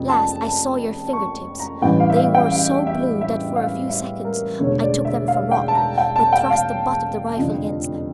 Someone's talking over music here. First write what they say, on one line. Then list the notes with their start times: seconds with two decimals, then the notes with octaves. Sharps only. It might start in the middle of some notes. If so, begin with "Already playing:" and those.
At last I saw your finger tips; they were so blue that for a few seconds I took them for rock, but thrust the butt of the rifle against them.
Already playing: F1 F2 C#3
0.10 A5
0.43 A5
1.13 C#6
1.59 A#5
1.82 A1 G2 E3 G5
2.00 F5
2.10 E5
2.16 F5
2.34 G5
2.52 F5
2.87 E5
3.21 E5
3.56 F5
3.89 E5
4.25 A#4
4.59 E1 E2 D3 A3 C#5
4.83 D5
5.05 E5
5.28 F5
5.51 G5
5.68 A5
5.74 A#5
5.98 G5
6.16 A5
6.32 G5
6.50 F5
7.37 F1 F2 D3